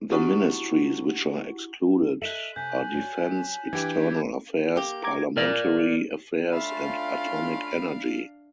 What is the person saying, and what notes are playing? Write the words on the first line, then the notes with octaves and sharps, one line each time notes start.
The ministries which are excluded are defence, external affairs, parliamentary affairs and atomic energy.
D4 E4 F#4 G4 F#5 C#6
A4 D#5 E5 F#6 B6 F#7
C3 G#5 G6 B6
F#4 C#5 D5
E3 D4 G4 B4 G#6 D7
A#3 G4
A#5 D6 G#6
A#4 D5
A3 C#4 D4 F4 E5 F5 B5